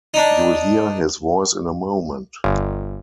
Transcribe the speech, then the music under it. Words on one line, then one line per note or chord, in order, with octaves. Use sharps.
You’ll hear his voice in a moment.
D4 D#4
G1